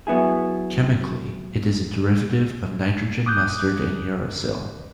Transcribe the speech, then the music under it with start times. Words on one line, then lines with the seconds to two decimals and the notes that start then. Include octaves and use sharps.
Chemically it is a derivative of nitrogen mustard and uracil.
0.07 F#3 B3 E4 G#4
3.26 D6 D#6 F#6 G6